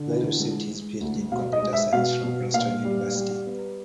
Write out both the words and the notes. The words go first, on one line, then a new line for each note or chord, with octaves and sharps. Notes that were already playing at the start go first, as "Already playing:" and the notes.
Blaze received his PhD in Computer Science from Princeton University.
Already playing: D3
E3
G#3
G#3
D2
B2 F5
D#5
G#3
E5
B2 F5
B2
A#2 F5
G3
G3
B3